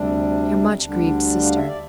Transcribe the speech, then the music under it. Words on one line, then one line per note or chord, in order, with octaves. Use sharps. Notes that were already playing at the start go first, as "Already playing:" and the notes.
'Your much grieved sister.'
Already playing: D2 C3 G3 D4
D2 D3 G3 D4
F5
E5
D5